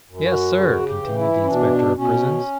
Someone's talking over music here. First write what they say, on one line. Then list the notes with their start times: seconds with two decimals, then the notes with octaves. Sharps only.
"Yes, sir," continued the inspector of prisons.
0.09 F#2
0.25 F#4
0.56 C#3 F#4
0.88 G4
1.03 E3
1.18 E4
1.43 C#4
1.50 B2 D4
1.97 B2 C#4